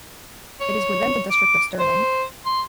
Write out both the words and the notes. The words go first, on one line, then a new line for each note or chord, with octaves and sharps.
It is within the district of Stirling.
C#5
D6
C5
C6